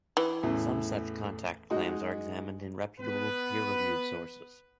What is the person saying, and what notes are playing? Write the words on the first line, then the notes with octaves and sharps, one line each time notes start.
Some such contact claims are examined in reputable peer-reviewed sources.
E3
E2 A2 C#3
G#3 D#4 F#4
B3 B4